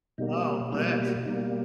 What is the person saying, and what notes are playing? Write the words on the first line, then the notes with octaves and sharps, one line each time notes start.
Wow, I'm glad.
B2 G3 A#3 D#4
B2 G3 A#3 D#4
E4
G4
F#4
B2 G3 A#3 D#4